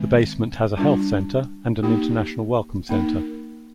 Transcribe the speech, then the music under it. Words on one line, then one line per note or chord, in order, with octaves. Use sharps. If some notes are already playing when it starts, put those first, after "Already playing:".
The basement has a health center and an international welcome center.
Already playing: D#3 G#3 C4
G3 D4 F4
A#3 D#4 G4
A#3 D#4 A#4